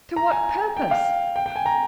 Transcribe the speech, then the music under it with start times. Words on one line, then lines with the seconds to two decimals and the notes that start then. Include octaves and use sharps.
'To what purpose?
0.16 A#5
0.32 G#5
0.77 G5
0.91 F5
1.36 G5
1.46 G5
1.56 G#5
1.66 A#5